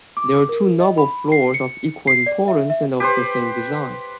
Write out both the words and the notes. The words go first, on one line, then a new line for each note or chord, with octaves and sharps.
There are two noble floors of equal importance and of the same design.
D6
A#4
D#5
B5
C7
C#7
C7
D5
E5
E5
G4 B4 C5